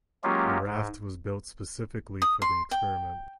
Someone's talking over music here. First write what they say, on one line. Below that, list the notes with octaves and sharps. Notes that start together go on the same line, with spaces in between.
The raft was built specifically for the experiment.
F#3 G#3 A#3 C#4 F4 G4
G#2
D#6
C6
G5